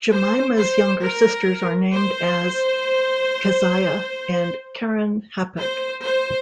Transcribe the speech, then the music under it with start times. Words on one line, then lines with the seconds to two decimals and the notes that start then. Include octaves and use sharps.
Jemima's younger sisters are named as Keziah and Keren-Happuch.
0.11 C5
0.57 C5
1.02 A#4
1.94 C5
5.59 C5
6.04 C5